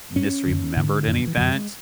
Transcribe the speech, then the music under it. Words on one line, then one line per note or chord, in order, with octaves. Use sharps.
misremembered an event,
G#2 C#4
F#2 D3
G#2 D3
F#2 D3 E3
F#3
E3
F#2 D3 F#3
G#3